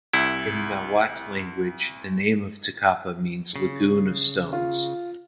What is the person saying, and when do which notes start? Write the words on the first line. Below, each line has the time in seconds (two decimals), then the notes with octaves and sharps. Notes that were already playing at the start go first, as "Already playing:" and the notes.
In nahuat language the name of Tecapa means Lagoon of stones.
0.14 C2 E4
3.56 C#3
4.53 F4